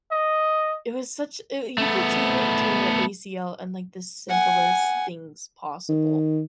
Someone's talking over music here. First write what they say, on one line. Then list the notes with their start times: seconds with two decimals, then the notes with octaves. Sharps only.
it was such a a you could tear tare ACL and like the simplest things possible.
0.11 D#5
1.78 A3 B3
4.29 F#5 G#5
5.89 D#3